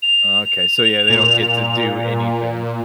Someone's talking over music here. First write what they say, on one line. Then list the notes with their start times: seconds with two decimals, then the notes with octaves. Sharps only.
Oh, okay, so, yeah, they don't get to do anything.
0.02 F7
1.10 A#2